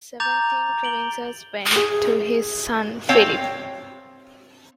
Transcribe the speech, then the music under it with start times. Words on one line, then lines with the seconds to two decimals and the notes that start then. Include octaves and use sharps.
The Seventeen Provinces went to his son Philip.
0.20 A#5 D6 G6 A6 F7
0.84 D7 F#7 G7
1.76 G#4
3.09 C4 C#5 F5 G5